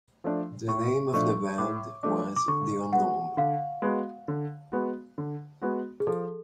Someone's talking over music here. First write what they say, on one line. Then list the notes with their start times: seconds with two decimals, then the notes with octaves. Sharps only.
The name of the band was The Unknowns.
0.24 F3 A3 D4
0.68 A2 C#6
1.13 F3 A3 D4 C#6
1.58 A2 D6
2.03 F3 A3 D4 D6
2.36 D6
2.48 D3 C#6
2.93 G#3 B3 F#4 F#5
3.37 D3 F5
3.82 G#3 B3 F#4
4.28 D3
4.72 G#3 B3 F#4
5.18 D3
5.62 G#3 B3 F#4
6.00 G#4
6.07 F3 A4